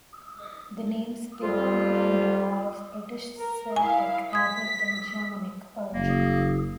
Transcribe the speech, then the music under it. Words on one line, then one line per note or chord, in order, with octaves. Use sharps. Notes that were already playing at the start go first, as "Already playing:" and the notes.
The names Pybba and Penda are of British Celtic, rather than Germanic, origin.
F2 G3 F4
A#4
E4 F5 G#5
D#6 G#6 B6
F#1 A#3